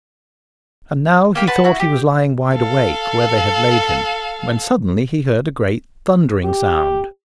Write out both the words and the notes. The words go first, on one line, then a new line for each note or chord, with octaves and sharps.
And now he thought he was lying wide awake where they had laid him, when suddenly he heard a great thundering sound.
A#3 G4 A#4
B4 F#5 A5 C6
E4 F#4 F#5
G4
A4 F5
G4